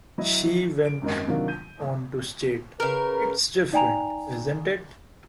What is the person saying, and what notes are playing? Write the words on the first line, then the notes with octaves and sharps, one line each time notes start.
She went on to state: It's different, isn't it?
F#3 E4 D#5 E5
D7
G#1 F#2 A#4 D#5
C3 D#3 F#3 A#3 D4 F4
G6 D#7
C#3 A#4 B4
D#4 D5 G5 G#5 A#5 F7